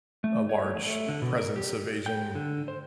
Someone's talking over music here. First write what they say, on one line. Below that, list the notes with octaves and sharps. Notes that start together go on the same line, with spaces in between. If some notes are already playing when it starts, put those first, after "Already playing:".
a large presence of Asian,
A3
C#5
A3
D3
B2
A#4
G4
G5
D3
C5